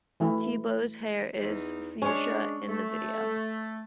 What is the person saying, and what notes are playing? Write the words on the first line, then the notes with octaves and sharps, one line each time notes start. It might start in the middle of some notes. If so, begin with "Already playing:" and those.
T-Boz's hair is fuchsia in the video.
E3 A3 E4
E2 D#4
G#3 C#4 D4 C#5
A3